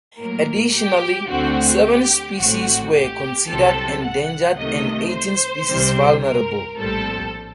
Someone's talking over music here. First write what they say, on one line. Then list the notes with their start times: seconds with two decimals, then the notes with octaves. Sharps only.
Additionally, seven species were considered endangered and eighteen species vulnerable.
0.19 A2 F#3 A#3 A#4
0.74 G4
1.29 D2 D3 A3 C4 F#4
1.84 G4
2.38 A1 A2 A3 C4 F#4
2.94 G4
3.48 C2 C3 F#3 C4 A4
4.03 F#5
4.58 C2 C3 D#3 A3 D#5
5.13 C5
5.68 C2 C3 G3 C4
6.23 A#4
6.78 A#1 A2 G3 C4 A4